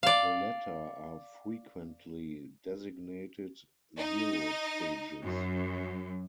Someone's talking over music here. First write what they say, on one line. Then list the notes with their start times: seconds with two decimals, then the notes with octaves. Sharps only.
The latter are frequently designated "zero stages".
0.03 D5 F5
3.98 D#4
5.24 F#2